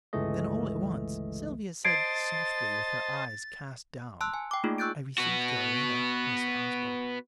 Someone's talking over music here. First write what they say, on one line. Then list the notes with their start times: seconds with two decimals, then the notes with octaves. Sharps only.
Then all at once Sylvia said softly, with her eyes cast down, "I received your letter, Mr. Osborne."
0.13 G1 C#2 E3 G#3 A3 D#5
1.85 C5 D#5 A5 G#6 A6 C7 D7
4.21 A5 C6 E6 F#6
4.34 G#5
4.51 G5 D6
4.64 A3 A#3 D#4 F4 G#4
4.78 C#6 E6 F#6 G6 A6 D7
5.18 B3 F#4